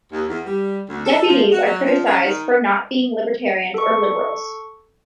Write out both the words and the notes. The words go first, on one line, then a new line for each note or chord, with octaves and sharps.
Deputies are criticized for not being libertarians or liberals.
D#2
E2
G3
D2
A4
F3
F#4
F#3
F3
C#4
D#3
A4 C#6